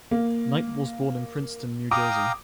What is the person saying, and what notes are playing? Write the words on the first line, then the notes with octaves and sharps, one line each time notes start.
Knight was born in Princeton, New Jersey.
A#3
F5 G5 A#5 D6 D#6